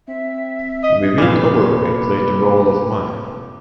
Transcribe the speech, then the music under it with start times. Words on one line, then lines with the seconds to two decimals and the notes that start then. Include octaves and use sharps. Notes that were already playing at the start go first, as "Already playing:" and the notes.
Vivek Oberoi played the role of Maya.
0.08 C4 E5
0.83 D#5
1.18 F1 C2 A#2 B3 B4 F5 D6